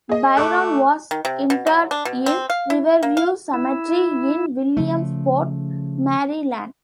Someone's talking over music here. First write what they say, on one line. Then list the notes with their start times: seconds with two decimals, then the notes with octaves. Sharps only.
Byron was interred in Riverview Cemetery in Williamsport, Maryland.
0.09 G#4 D#5
0.37 A3 C#6 D6 F#6
1.11 D#3
1.25 C3
1.50 B2
1.67 F#3
1.91 D4
2.05 B2
2.26 C4
2.50 F5
2.70 E4
3.03 A#3
3.17 F5
3.54 E4
4.77 C#3 F3 A3